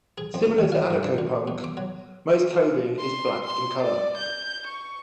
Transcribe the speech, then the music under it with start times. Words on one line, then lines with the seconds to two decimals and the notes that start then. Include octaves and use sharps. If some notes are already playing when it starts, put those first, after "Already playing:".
Similar to anarcho-punk, most clothing is black in color.
0.18 G#4
0.34 F2
0.45 D#4
0.58 D#2
0.72 F5
0.90 G2
1.03 D4
1.18 D3
1.48 B2
1.64 D6
1.77 F#3
2.99 C6
3.44 C6
3.83 D5
4.17 G6
4.67 C#6